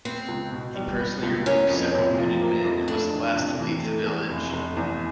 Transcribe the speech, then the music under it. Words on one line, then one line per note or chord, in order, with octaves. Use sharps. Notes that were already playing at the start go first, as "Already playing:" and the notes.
He personally removed several wounded men and was the last to leave the village.
B3 C4
C#2
B2
G3
B3
C#2
A#3 C#4
F2
C3
F3
A#3
F2
A3 D4
E2
C3
E3
A3
E2
F1
F1
E2